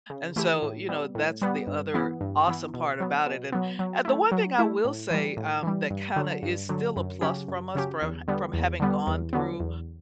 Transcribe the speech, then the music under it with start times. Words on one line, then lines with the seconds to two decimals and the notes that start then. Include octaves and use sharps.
And so, you know, that's the other awesome part about it. And, uh, the one thing I will say, um, that kinda is still a plus from us from h from having gone through
0.10 C#3
0.36 E3 A3 E4 G4
0.62 A2
0.89 G3 B3
1.15 A2
1.42 G3 B3
1.67 G2
1.94 E3 B3 E4
2.21 G2
2.47 E3 B3 E4
2.74 B2
3.00 F#3 B3
3.26 B2
3.52 F#3 B3
3.79 F#3
4.05 A3 E4
4.32 F#3
4.58 A3 E4
4.84 A2
5.11 E3 G3
5.37 A2
5.63 E3 G3
5.90 G2
6.16 D3 F#3
6.42 G2
6.69 D3 F#3
6.96 F#2
7.21 C#3 F#3 C#4 G4
7.48 F#2
7.75 C#3 F#3 C#4 G4
8.02 E2
8.28 D3 G3 B3
8.54 E2
8.80 D3 G3 B3
9.07 E2
9.33 D3 F#3 B3
9.60 E2